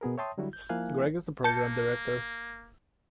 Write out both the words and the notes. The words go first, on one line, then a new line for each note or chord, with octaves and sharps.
Greig is the Program Director.
B2 B3 G#4 A#4
C#5 E5 G5 A5 C6 D#6
D3 F#3 G3 E4 F#4
G6
F3 A#3 E4 F5 G#5 F#6
A#3 A5 G6 C#7